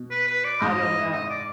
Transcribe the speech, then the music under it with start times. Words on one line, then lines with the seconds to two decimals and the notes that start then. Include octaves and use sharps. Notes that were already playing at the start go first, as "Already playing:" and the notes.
I don't know.
Already playing: B2
0.11 B4
0.27 B4
0.45 D5
0.61 G#2 D#5
1.12 D#5
1.29 D5